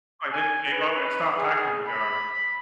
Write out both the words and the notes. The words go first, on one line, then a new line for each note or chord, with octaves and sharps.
Like, they just gave up and stopped tackling the guy.
G#5
B4
G#4
B5